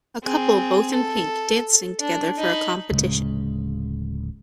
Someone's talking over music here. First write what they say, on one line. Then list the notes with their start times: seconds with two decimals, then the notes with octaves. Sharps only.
A couple, both in pink, dancing together for a competition.
0.24 C4 G#4
0.93 A4
2.00 D4
2.38 D#4 B5
2.91 D1 C#3 G#3